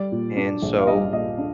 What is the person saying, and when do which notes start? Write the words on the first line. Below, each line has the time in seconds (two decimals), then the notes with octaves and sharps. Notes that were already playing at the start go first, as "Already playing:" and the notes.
and so,
Already playing: G3 D5
0.12 A#2
0.37 D4
0.62 A#1
0.78 F5
0.87 G3 D#5
1.13 A#2 D#5
1.38 D4